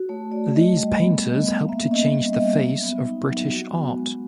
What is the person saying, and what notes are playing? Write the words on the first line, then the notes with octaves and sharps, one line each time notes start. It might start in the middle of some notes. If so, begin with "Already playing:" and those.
These painters helped to change the face of British art.
Already playing: F#4
A3 C#5
A3 D5
A3 D#5
G3
B3
B3
B3
F5
A#3 E5
C#4 D#5
G3 D#5
D#5
G3 E5
F#3
B3
D#4
F#3
F#4
B3
G#3